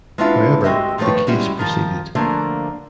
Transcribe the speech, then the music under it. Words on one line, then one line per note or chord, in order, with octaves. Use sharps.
However, the case proceeded.
G#3 B3 C#4 D4 E4 F4
G#3 C4 F#4 G4 D#5 E5
D#3 F3 A3 B4 C#5
G3 G#3 C#4 E4 F#4
D#3 F3
D3 F3 A3 A#3 D4